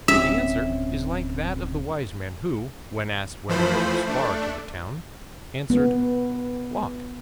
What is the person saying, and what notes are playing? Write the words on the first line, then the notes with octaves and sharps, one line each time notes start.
The answer is like that of the wise man who, when asked whether it was far to the town, answered, "Walk!"
D1 C4 C#4 E5
E3 F3 A3 C5 B5
A3 D4
B3